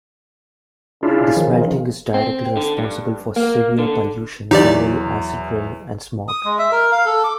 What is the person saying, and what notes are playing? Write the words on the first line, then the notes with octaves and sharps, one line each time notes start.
The smelting is directly responsible for severe pollution, generally acid rain and smog.
C#3 D4 E4 F4
D#3 F3
C4
D3
G2
A#3
D3
E2 F#3 D#4 G4 D5
D#6
G#3
E5
A#4
F5
A4
D6